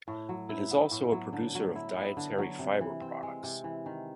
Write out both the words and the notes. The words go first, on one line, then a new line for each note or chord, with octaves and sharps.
It is also a producer of dietary fibre products.
A2
F#3
E4
B3
A2
F#3
D3
F#3
E4
B3
D3
F#3
C3
E3
C4
G#3
C3
E3
D#3